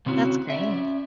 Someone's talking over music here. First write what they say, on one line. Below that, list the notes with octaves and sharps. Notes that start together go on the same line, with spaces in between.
That's great.
C#3 C4 C#4 E4 F#4
C#4 D5 E5